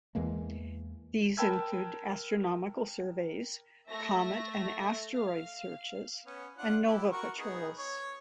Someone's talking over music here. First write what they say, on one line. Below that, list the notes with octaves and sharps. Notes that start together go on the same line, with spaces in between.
These include astronomical surveys, comet and asteroid searches, and nova patrols.
E2 E3 G#3 A#3
A#4 G5 A5 B5 E6 G#6
A3 E5 A#6
F5
B3 C#4
D4 F4 F#5
E4 G4
F#4 A#4 C#6
B3 D#4 G#4
C#5